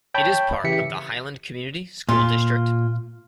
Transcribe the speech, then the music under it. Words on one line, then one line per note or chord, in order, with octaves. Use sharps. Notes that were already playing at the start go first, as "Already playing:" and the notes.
It is part of the Highland Community School District.
C#5 G5 A5 B5 C#6 G6
C#3 E3 G4 E5 B6 C#7
A#2 F4